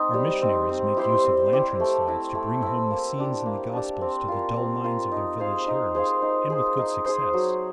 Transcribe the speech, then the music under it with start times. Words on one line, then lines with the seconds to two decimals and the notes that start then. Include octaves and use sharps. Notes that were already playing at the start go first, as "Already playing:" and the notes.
Our missionaries make use of lantern-slides to bring home the scenes in the Gospels to the dull minds of their village hearers, and with good success.
Already playing: C4 D#4
0.14 G3
0.42 C4 D#4
0.69 C4
0.97 E4 G4 C5
1.24 C4
1.52 E4 G4 C5
1.80 A3
2.07 C4 E4
2.35 A3
2.62 C4 E4
2.90 A#3
3.18 D4 G4
3.46 A#3
3.73 D4 G4
4.01 C4
4.28 F4 A#4
4.56 C4
4.84 F4 A#4
5.12 D#4
5.39 G#4 C5 F5
5.67 D#4
5.95 G#4 C5 F5
6.22 D#4
6.50 G#4 C5
6.78 D#4
7.05 G#4 C5
7.33 F#3